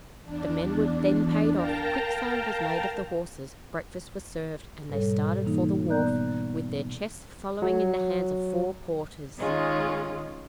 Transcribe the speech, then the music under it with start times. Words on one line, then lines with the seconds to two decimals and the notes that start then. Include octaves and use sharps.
The men were then paid off; quick sale was made of the horses; breakfast was served, and they started for the wharf, with their chests following in the hands of four porters.
0.22 E2 D4
1.53 A#4 F5 G5 A5 A#5
4.89 G#2 B2 G3 A4 C#5
5.43 E3 A#3 D#4
5.88 B2 B3 D5 A#5 F#6 G6
7.62 F#3
9.37 D#3 G#3 C#4 F4